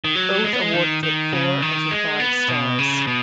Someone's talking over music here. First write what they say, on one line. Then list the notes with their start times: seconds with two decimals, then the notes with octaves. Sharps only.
Both awarded it four out of five stars.
0.04 D#3
0.15 F#3
0.44 G#3
0.53 B3
0.62 G#3
0.73 D#3
1.03 D#3
1.33 C#3
1.62 D#3
1.91 G#3
2.20 B3
2.48 B2
2.79 C#3
3.07 B2